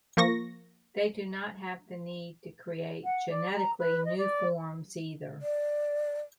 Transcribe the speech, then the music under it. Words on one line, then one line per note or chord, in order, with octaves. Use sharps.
They do not have the need to create genetically new forms either.
F3 A#3 C#6 A#6
F#5
D5
A#5
B4
D#5
D5
D5